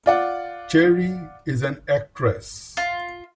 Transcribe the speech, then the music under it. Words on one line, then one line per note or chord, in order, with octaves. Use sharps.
Cherie is an actress.
F4 D5 F#5
F4